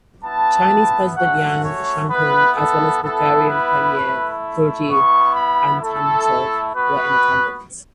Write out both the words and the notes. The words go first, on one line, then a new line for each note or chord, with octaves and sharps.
Chinese President Yang Shangkun as well as Bulgarian Premier Georgi Atanasov were in attendance.
B3 E4 A5
A3 C#4 F#4 F#5
C#5
B3 E4 B4
A4
B3 E4 A4
B4
A3 E4
B3 E4 C#6
B5
A3 E4 A4
B3 F#4 B4